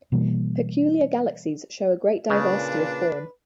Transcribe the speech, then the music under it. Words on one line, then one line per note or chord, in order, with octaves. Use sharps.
Peculiar galaxies show a great diversity of form.
B2 E3 G3 A#3
A#2 C#3 D4 B4